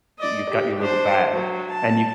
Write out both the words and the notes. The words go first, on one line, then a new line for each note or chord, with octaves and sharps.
you've got your little bag, and you
D5 D#5
G4
D4 C5
F#3
A5